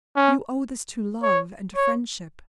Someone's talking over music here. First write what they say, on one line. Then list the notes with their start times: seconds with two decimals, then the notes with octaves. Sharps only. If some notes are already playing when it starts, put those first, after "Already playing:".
You owe this to love and friendship.
0.16 C#4
1.23 C#5
1.76 C#5